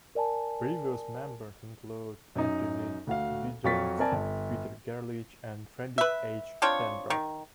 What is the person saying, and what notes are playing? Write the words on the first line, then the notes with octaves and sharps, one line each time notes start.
Previous members include Anthony Giddens, Peter Gerlich and Friedrich H. Tenbruck.
A#4 D5 G#5 A5
F#2 D#4
D2 F#4 F5
F2 F#3 F5 C#6 A6 B6
C4 A#4 D5 G#5 A5
G1
B4 E5
C4 D4 F4 C#5
D#3